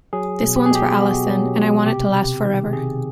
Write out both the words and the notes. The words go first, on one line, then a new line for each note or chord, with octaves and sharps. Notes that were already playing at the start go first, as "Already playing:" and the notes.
This one's for Allison, and I want it to last forever!
F#3 G#4
B2
G4
G#4
B2 G4
B2 F#4
F#3
B2
C3 G4
C3
D#3
C3 G#4